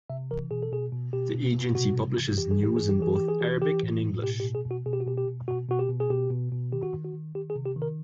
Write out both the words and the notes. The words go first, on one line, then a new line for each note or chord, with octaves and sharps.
The Agency publishes news in both Arabic and English.
C3 E5
E3 A#4
B2 G#4
A4
B2 G#4
B2
B2 G4
B2
B2
C3 F#4
C3
E3
E3 G4
G#4
E3 G4
E3 G#4
G4
E3 G#4
E3 G4
G#4
E3 G4
E3 G4
A2
A2
B2 G4
G4
B2
G#4
B2
F#4
B2 G#4
G4
F#4
B2 G4
G4
B2
B2 F#4
B2 F#4
G4
B2
G#4
B2 G4
B2
B2
D#3 G4
F#4
D#3
F#4
D#3
D#3 G4
G#4
C3
G4
D#3
A#4